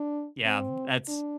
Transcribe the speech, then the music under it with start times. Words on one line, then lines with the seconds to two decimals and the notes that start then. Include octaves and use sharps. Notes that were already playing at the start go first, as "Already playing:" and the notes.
Yeah, that's
Already playing: D4
0.45 C4
1.08 D4